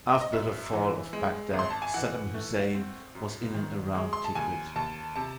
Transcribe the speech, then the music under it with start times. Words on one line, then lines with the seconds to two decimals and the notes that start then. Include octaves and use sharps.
After the fall of Baghdad, Saddam Hussein was in and around Tikrit.
0.21 D#5
0.32 F#2 E5
0.73 E3
1.13 G#3
1.54 G#1
1.59 C6
1.70 A5
1.82 G#5
1.94 E3 F#5
2.34 A3
2.75 C4
3.15 F#2
3.54 D#3
3.95 G#3
4.13 C6
4.24 A5
4.35 D#2 G#5
4.76 D#2 A5
5.16 C3 A5